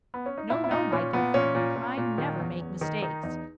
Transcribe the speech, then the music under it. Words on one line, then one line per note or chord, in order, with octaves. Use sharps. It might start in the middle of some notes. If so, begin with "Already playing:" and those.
No, no, my good friend; I never make mistakes.
B3
C#4
D#4
A#2 E4
E4
A#2 D#4
A#2 C#4
A#2 B3
A#2 C#4
A#2
A#2
A#2
D#3
E2
E2
D#3
D#3 D#4
E2 D#4